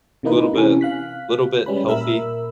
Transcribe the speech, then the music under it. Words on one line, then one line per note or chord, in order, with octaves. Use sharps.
Little bit little bit healthy,
C3 E3 A#3 D#4 B4
C3 E3 C#4
F5 F#6 B6
G3 G#3 C#4 B4 B5
A#2 A#4 E5 B5 E6